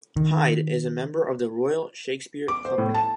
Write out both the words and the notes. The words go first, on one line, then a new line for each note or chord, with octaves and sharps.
Hyde is a member of the Royal Shakespeare Company.
D#3
D6
C5
A2
A5